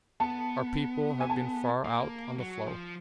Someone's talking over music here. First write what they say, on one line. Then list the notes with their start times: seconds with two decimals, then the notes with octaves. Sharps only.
Our people have been far out on the floe.
0.20 B3 A5
1.21 G#5
1.30 A5
1.85 A#3
2.39 F#3
2.67 F3